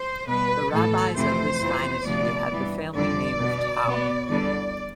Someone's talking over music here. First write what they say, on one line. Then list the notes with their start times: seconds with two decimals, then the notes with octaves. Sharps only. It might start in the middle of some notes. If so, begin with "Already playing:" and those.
The rabbis of this dynasty have the family name of "Taub".
Already playing: C5
0.27 B2 G3 B3 B4
0.71 A2 E3 B3 A4
1.16 F2 C3 E3 A3 C5
1.61 F2 E3 B3
2.06 D2 C3 F3 B3 D5
2.50 G2 E3 B3
2.95 F2 D3 G3 D5
3.41 B2 B3
3.84 B2 B3
4.30 E2 D3 G3 B3 D5